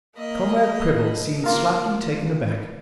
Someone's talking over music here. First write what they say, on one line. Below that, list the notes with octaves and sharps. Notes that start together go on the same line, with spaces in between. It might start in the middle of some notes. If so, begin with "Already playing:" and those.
Comrade Prebble seemed slightly taken aback.
A#3 D#5 B5
A#3 F4 A#4